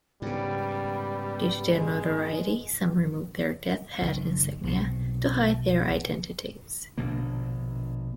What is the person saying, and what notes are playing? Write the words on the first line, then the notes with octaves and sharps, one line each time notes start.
Due to their notoriety, some removed their "death head" insignia to hide their identities.
G#2 C#3 G3 B3
G#3
F#1 D#3
B1 C3
A#1 B2 D3 A#3